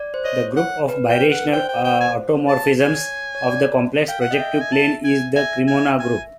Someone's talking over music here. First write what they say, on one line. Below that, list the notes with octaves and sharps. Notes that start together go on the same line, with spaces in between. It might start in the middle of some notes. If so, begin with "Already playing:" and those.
The group of birational automorphisms of the complex projective plane is the Cremona group.
Already playing: D5
C5
C#5 D#5
F#5
B4
G5
F#5
C5 G5
G5
G5
G#5
A5
C#5 G#5
C#5
D5
F5 G5
F#5
D#5 G5
E5
G#5
A5
G#5
E5 G#5
G#5
G#5